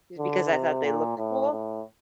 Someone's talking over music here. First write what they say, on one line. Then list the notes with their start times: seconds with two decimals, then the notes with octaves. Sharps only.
just because I thought they looked cool.
0.18 D3
0.52 C3
0.84 A#2
1.18 A2
1.51 A2